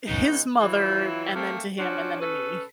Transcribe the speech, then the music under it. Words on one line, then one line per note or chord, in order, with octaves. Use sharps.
His mother, and then to him and then to me.
C#3 G#3 B3 D#4
E3 F#3 E4 F4
A3 A#3 C4
F3 C#4 D4 F#4
C#4 A4 B4